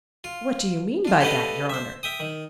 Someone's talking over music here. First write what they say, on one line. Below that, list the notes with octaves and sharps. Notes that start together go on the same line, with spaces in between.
"What do you mean by that, your honour?"
F4
D4 F4
G4 A4 B4 D5 D#5 F5
C5 E5
E5 G5 D#6
D#3